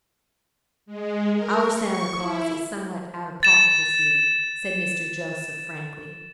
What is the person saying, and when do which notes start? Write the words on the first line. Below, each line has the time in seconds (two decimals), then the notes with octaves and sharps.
"Our Santa Claus is somewhat out of pocket this year," said Mr. Joseph frankly.
0.86 G#3
1.34 A#4
1.72 C#6
2.14 E4
3.43 A6 E7